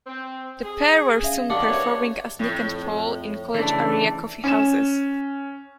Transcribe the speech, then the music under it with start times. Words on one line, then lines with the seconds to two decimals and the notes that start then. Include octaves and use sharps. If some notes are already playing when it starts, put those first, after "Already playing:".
The pair were soon performing as Nick and Paul in college-area coffee houses.
0.07 C4
0.64 G#4
1.23 C#4 E5 F5
1.50 D#3 D4 G4 F5 F#5 E6
1.68 C#3 B3 A#4 C#5 E5
2.39 F2 A2
3.54 C#3 E3 A3 D4
4.44 C#4 E7